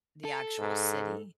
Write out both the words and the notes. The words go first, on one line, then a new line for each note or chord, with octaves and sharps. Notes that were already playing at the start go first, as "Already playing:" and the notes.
the actual city
A4
G#2